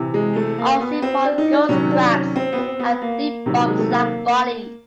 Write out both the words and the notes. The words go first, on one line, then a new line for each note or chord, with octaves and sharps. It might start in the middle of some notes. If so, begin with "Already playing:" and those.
"Ocypode" ghost crabs have deep box-like bodies.
Already playing: C3 E3
G#3
A3
A#3
B3
C4
D4
D#4
D4
C3 D#3 F#3 C#4
D4
C#4
C4
B3
C4
B3
A#3
C3 D#3 F#3
G#3
A3
A#3